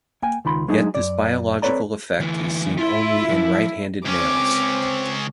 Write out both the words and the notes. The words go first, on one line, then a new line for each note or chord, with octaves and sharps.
Yet this biological effect is seen only in right-handed males.
A#3 G5 G#5
C#2 D#3 F4 B5 C6
F#3 G#3 A3 D4 D#4 G#4
F#2 B2 D5
C4 A4 B4 C#5 D5 A#5
D2 E3
E4 F4 C6
F3
C#2 C4 C#4 D6